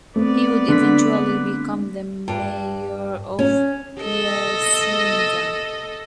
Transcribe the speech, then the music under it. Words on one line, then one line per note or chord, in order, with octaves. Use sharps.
He would eventually become the mayor of Piacenza.
A3 B3 C4 D5
D3 D4 B6
G2
C#4
A4 D#5